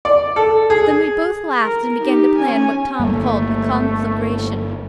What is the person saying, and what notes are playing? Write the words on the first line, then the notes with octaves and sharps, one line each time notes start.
Then we both laughed and began to plan what Tom called a conflagration.
D5
A4
G#4
A#4
D#4 G4
C#4 G#5
G1 G3 A3 A#3